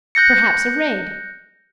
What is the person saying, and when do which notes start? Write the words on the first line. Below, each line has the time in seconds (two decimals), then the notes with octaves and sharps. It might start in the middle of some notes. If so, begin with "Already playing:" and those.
Perhaps a raid!
0.15 F#6 G6 A#6 C#7